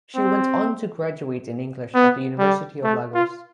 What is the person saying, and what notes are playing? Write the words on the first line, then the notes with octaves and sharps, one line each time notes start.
She went on to graduate in English at the University of Lagos.
C4
B3
G3
A3
F4